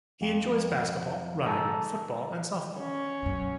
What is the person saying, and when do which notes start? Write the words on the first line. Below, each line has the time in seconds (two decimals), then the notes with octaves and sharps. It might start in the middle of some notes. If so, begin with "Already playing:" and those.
He enjoys basketball, running, football and softball.
0.21 F2
1.46 G#2 A4
2.79 C#4
3.22 F#2 B2